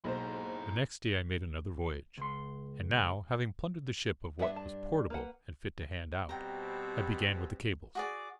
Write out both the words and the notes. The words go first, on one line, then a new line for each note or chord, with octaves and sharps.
The next day I made another voyage, and now, having plundered the ship of what was portable and fit to hand out, I began with the cables.
B1 G#2 F#3 A#3 E4 C5 A#5
C#2 C6
G2 B3 D4 E5
A5
A#3 B4 F#5
B2 G3 C4 G5 A#5
F#4 G#4 D5